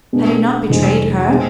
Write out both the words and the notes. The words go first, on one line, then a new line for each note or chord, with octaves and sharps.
Had he not betrayed her?
B2 G#3 B3 D4
F1 F2 E3 G#3 D4
B2 G#3 C4 G#4